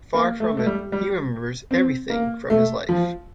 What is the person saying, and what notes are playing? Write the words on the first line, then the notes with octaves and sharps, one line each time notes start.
Far from it, he remembers everything from his life.
A#3
A3
A3
G3
G3
C4
A#3
A3
F3